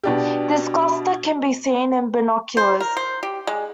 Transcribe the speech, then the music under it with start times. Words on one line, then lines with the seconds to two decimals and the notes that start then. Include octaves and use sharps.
This cluster can be seen in binoculars.
0.03 B2 D4 G4
2.57 C5
2.80 A#4
2.97 C5
3.23 G4
3.47 G#3